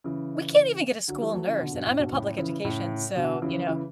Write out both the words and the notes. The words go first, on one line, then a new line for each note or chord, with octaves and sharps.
we can't even get a school nurse," and I'm in public education, so, you know,
C#3 E3
D3 F#3
E3 G3
F#3 A3
C#3 E3
B2 D3
G2 B2
A2
G2 B2
A2 C#3
C#3 E3
A2 C#3
B2 D3
C#3 E3
C#3 E3